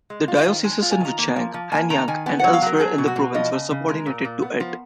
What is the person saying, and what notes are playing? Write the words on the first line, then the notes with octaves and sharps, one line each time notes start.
The dioceses in Wuchang, Hanyang, and elsewhere in the province, were subordinated to it.
G#3
F4
D#3
G#3 G#5
F4
G#5
D#3 A#5
A#3
F3
F3
A#3 G#5
D#3 A#5
D#3 G#5
B3 G#5
F#3 F#5
F5
F#3 A#4
F#3 G#4
B2
F#4
B2
F3 D#5
C#3
C#3
G#3 A#4
A#2
A#2
B3
F3